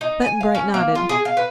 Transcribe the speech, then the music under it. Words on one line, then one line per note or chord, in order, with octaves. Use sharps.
Button-Bright nodded.
D#4
G#5
F5
C#4
A#3
F4
G#4
F5
B4